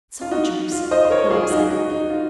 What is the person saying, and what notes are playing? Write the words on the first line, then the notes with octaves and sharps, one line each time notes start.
"Soldiers!" Philip said.
F4
D#4 F#4
F4
C5 D#5
C5
A#4 C#5
F4 G#4
G#4
D#4 F#4
D#4 F#4
D#4
F4